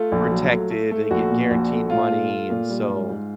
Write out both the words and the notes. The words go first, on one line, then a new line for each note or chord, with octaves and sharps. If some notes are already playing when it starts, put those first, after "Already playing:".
protected, they get guaranteed money and so,
Already playing: A3 F4
A#1
F#3
A3
A3
A3
A#1 F#4
A#2
A#1
A3
A#2 F4
A3
A3
A#2
G3
G#2
G#2